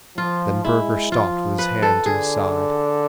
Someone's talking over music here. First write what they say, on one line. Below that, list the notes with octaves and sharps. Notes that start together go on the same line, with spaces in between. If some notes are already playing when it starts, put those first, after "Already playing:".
Then Burger stopped with his hand to his side.
F3 F4
G#3 E4
F3 F4
B4
A4
D3 G#4